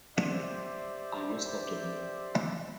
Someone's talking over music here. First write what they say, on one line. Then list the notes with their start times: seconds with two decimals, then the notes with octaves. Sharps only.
I must have done.
0.17 G4 C5 D5 E5